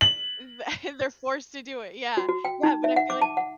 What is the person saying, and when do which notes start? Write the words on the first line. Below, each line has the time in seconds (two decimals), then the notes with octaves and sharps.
Mm, th they're forced to do it, yeah, yeah, but I feel like
0.01 F#7
2.17 F#4
2.28 F#4
2.45 G5
2.63 D#4
2.84 E5
2.96 F#5
3.10 D6
3.22 A5
3.37 F#5